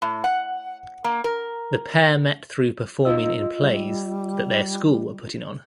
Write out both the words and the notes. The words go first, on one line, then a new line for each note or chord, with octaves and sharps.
The pair met through performing in plays that their school were putting on.
A2
F#5
A#3
A#4
D#4 F4 D#5 E6
G3